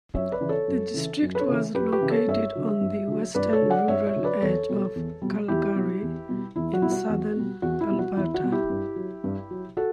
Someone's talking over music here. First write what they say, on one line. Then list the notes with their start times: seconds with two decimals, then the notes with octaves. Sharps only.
The district was located on the western rural edge of Calgary in southern Alberta.
0.14 F#2 C#5 E5
0.31 B4 D5
0.41 C#3 E3
0.49 A4 C#5
0.68 F#2
0.94 C#3 E3
1.22 F#2
1.35 B4
1.39 A4 C#5
1.48 C#3 E3
1.74 F#2 G4 B4
1.92 G4 B4
2.01 C#3 E3
2.10 A4 C#5
2.27 G2 C#5 E5
2.55 D3 F#3
2.81 G2
3.08 D3 F#3
3.35 G2 B4 D5
3.53 A4 C#5
3.62 D3 F#3
3.70 D5 F#5
3.88 G2 C#5 E5
4.06 C#5 E5
4.16 D3 F#3
4.24 B4 D5
4.42 E2 A4 C#5
4.69 B2 G3
4.95 E2
5.22 B2 G3
5.48 E2 E4 G4
5.75 B2 G3
6.02 E2
6.29 B2 G3
6.56 E2 E4
6.74 F#4
6.82 B2 E4
6.86 G3
6.92 F#4
7.09 E2
7.36 B2 G3
7.62 E2 F#4
7.81 E4
7.90 B2 G3
7.99 F#4
8.17 E2 E4
8.34 F#4
8.44 B2 G3
8.52 E4 G4
8.70 G2
8.96 F#3
9.24 G2
9.51 F#3
9.77 F#4 A4